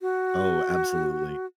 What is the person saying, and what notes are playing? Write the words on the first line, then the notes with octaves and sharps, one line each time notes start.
Oh, absolutely.
F#4